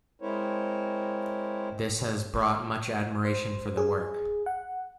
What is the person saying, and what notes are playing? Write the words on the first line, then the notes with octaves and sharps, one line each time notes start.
This has brought much admiration for the work.
G#3 C4 E4 A#4 C5 C#5
C5
G#4
F#5